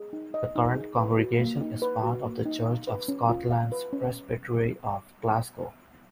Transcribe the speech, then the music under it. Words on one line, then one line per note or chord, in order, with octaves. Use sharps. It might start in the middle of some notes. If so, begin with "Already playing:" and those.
The current congregation is part of the Church of Scotland's Presbytery of Glasgow.
Already playing: G#4
D#4
D#5
D#4
G#4
B4
F#4
A#3
D#4
B4
F#4
A#3
D#4
F5
B4
C#4
F4
F5
B4
C#4